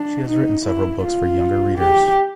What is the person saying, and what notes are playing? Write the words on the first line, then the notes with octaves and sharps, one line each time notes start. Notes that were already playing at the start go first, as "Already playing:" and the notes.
She has written several books for younger readers.
Already playing: D4
D#4
E4
F4
G4